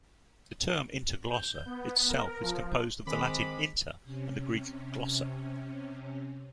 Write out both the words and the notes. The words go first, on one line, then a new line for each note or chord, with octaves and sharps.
The term "Inter-glossa" itself is composed of the Latin "inter" and the Greek "glossa".
G6
B3
A#4
F3
D#3 G#3 C4 B5 D6
C3 C#4